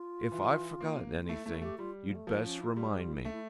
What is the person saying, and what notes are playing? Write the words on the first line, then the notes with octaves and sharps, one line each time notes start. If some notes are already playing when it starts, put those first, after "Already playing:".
"If I've forgotten anything you'd best remind me."
Already playing: F4
E3
A#3
F4
A3 E4
A3 E4
A3 G4
G3 F4
F3
A3
F3 A#3
C#4
E4
G3 F4
G4
F4
E4
A3 D4
E4